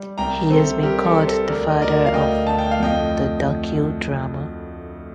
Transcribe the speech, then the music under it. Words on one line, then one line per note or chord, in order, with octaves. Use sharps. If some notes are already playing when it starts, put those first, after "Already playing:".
He has been called the father of the docu-drama.
Already playing: G3
C2 G5 A#5
C3 A4 C5
G3 G4 A#4
A4 C5
G3
A4 C5
D2 A#4 D5
D#5
D2 A#4 D5
F5
D2 D#5 G5
D2 A5
G5
F5
F2 D#5 G5